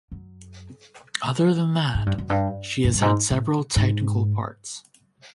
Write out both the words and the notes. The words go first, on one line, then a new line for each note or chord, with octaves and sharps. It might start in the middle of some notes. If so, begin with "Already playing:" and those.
Other than that, she has had several technical parts.
F#2
G#2
G2
F#2
G2
G#2
G2
G#2
A2
G#2